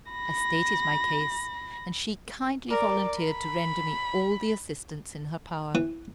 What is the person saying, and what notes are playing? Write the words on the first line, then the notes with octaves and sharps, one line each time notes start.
I stated my case, and she kindly volunteered to render me all the assistance in her power.
B5 A#6
A#4 D5 A#5
B5
E3